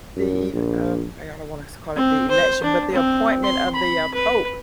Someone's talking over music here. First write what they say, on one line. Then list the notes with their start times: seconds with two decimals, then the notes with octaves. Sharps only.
the el um, I I don't wanna call it the election, but the appointment of the, uh, pope,
0.16 F#2
0.53 A#1
1.97 C4
2.30 C5
2.63 D4
2.92 C4
3.43 C6
3.75 B5
4.14 B4